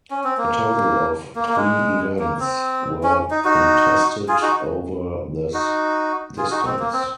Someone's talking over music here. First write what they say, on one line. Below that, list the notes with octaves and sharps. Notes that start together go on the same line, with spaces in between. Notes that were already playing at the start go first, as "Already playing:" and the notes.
A total of three events were contested over this distance.
C#4
C4
A#3
A#3
A#3
G#3
A#3
C4
C#4
D#4
D#4 F#4
F4 G#4
D#4 F#4
D#4 F#4
F4 G#4
D#4 F#4
C4
A#3
C4